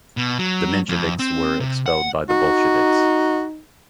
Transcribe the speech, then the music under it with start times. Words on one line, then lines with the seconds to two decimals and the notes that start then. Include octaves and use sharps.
The Mensheviks were expelled by the Bolsheviks.
0.17 B2
0.38 F#3
0.89 F2
1.19 C4
1.60 C3
1.86 F#5
2.29 D#4 F#4